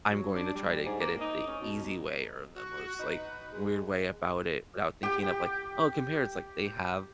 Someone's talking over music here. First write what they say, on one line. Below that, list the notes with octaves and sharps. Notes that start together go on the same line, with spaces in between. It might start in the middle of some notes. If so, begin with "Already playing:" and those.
I'm going to try to get it the easy way, or the most, like, weird way about it without thinking of, like, oh, compare" it's like, they have
F#3
D4
G3
G#2
A#3
D#4
C#4
B2
F#4
D#4 B4
G#3
G4 G5